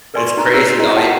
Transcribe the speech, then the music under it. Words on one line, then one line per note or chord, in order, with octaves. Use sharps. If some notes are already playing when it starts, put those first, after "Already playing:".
It's crazy though, it
A#4 B4 D5 G#5 C6 C#6
D#4 F#4 A#5
F#4 G#4 C#5 E6
E4 G#4 D#5
F4 F#5 G5 A5